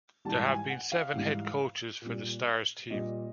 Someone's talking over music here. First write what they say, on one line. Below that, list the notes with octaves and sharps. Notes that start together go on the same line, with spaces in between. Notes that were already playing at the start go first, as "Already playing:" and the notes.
There have been seven head coaches for the Stars team.
G#2 E3 G3 A5
G#5
F#5
F5
G#2 E3 G3
A#2 G3
A#2 G3 D#5